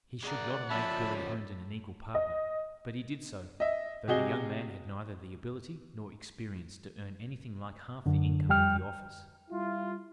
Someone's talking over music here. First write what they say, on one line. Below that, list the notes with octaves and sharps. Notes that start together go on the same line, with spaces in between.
He should not have made "Billy" Herndon an equal partner, but he did so, though the young man had neither the ability nor experience to earn anything like half the income of the office.
G#3 A#4 D5 F#5
F3 C#4 E5 A5 B5
D#5
D#5 E5
C3 F#4 G#4 D#5 G7
F#2 D3
F2 G3 G5 F6
G3 E4 F4